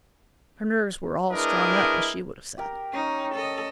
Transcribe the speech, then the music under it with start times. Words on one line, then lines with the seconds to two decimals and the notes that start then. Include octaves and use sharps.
Her nerves were "all strung up," as she would have said.
1.31 G#3 D4 E4 A#4 B4 D#5
2.58 G4 A#4
2.93 C#4 D#4
3.35 A4 D#5